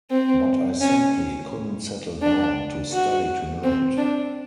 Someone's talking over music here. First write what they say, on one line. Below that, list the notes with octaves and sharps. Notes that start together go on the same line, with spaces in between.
But I simply couldn’t settle down to study tonight.
C4
C#4
D4
F#4
C4
D4